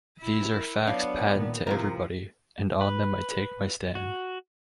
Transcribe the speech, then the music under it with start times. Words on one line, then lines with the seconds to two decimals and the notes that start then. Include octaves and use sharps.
These are facts patent to everybody, and on them I take my stand.
0.20 E4
0.54 A#4
0.87 F#3 B3 D4 F5
1.35 A#2 D#3
1.67 C3 F3 E4 F4 G4 A#4
2.81 B4
3.95 F#4